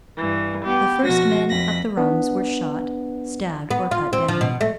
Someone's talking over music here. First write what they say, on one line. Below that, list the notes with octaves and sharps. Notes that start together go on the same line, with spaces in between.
The first men up the rungs were shot, stabbed, or cut down.
G2 E3
B3 G4
B2 F3 F#4 A#6
F2 B5 A#6
B3 D4
B3
F4
C4
F3
B2
A3